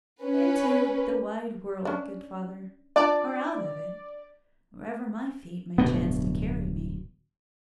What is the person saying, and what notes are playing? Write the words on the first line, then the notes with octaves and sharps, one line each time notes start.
'Into the wide world, good father, or out of it, where ever my feet may chance to carry me.'
C#4 B4
C#4 D4
D4 F4 D5 A5
D1 G2 B2 B3